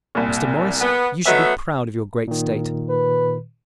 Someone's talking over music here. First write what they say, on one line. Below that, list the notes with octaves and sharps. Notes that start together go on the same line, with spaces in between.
Mr. Morris, you should be proud of your great state.
C2 A#2
B3
F#3 A3 B3 D#5 E5
A#2 D#3
B4